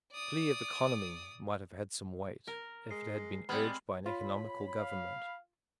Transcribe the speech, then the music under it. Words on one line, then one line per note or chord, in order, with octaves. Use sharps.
The plea of economy might have had some weight, if it had been urged by an economical government.
D5 D#6
A#4
G#3 C7
G3 G#3 B3 C4 B5 F6 F#7
F4 C#5 B5
F5